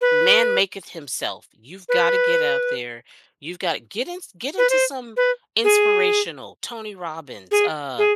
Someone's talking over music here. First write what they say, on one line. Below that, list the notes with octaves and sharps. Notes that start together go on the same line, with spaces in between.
man maketh himself. You've gotta get out there. You've gotta get in get into some inspirational Tony Robbins. Uh,
B4
B4
B4
C5
B4
G#4
G#4
G#4